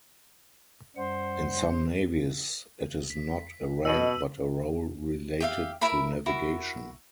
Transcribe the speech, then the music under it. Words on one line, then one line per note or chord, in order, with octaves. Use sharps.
In some navies, it is not a rank but a role related to navigation.
F#2 G3 C5 F#5
B6
B2 D#5 E6 D#7 F#7
G4 E5 F5
E4 A#4 E5 B5
E4 F#4 A#4